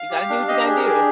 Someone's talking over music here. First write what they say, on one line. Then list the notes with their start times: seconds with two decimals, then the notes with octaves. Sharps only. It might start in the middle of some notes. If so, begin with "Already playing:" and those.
You gotta do what you gotta do.
Already playing: F5
0.10 G4
0.30 D4
0.48 G4 D#5
0.67 D4 G#4
0.77 A#4
0.86 G4 G#4